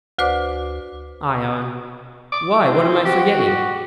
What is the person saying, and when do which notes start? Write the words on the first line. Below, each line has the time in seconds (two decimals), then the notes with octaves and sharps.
ION: Why, what am I forgetting?
0.19 D2 F#4 B4 C5 D5 D6
2.32 D6
2.65 C4 E4 C5
3.05 F#4 G4